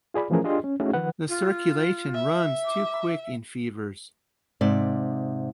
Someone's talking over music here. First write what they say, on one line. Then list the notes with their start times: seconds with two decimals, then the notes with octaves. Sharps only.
The circulation runs too quick in fevers.
0.14 F4 G#4 D5 B5
0.30 E3 F3 A3 C#4 G#4 A#4
0.44 D4 F4 G4 G#4 D#5 C6
0.64 C#4
0.80 A3 C#4 D#4 E4 F#4 G#4
0.94 D#3 F3 B4 F#5
1.29 F4
2.14 E5
2.65 D6
4.61 G#2 C3 D5